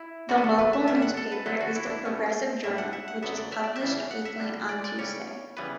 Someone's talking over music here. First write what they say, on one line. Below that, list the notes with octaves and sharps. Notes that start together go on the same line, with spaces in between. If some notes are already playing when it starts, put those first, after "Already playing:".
The local newspaper is "The Progressive Journal", which is published weekly on Tuesday.
Already playing: E4
D3 G3 B3 D4 F#4
B4
A4
B4
E5
G2 D3 G3 D4 E5
F#5
A4
B4
D3 F#3 C#4 A4
F#4
E4
D4
E4
B2 A3 C#4
A2 G3 D4 E5
F#5
E5
F#5
F#2 D3 F#3 B3 E5
D5
E5
D5
E5
E2 C#3 E3 G3 D4
F#5
E5
D3 G3 D4
D5
D5
C#3 G3 C#4 C#5
C#3 E3 G3 B3 B4